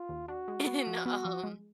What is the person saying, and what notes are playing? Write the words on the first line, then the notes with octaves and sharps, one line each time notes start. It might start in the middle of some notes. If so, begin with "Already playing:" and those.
And, um
Already playing: F4
D#2
D4 F#4
G#3
B3
F3
B3 F#4
F3
G#3